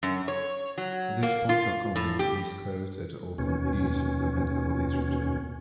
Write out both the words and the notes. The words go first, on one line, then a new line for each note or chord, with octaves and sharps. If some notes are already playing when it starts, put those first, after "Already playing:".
These points are commonly misquoted or confused in the medical literature.
F#2
C#5
F#3
A#3
F4
A2
G4
D#2 B2 C#4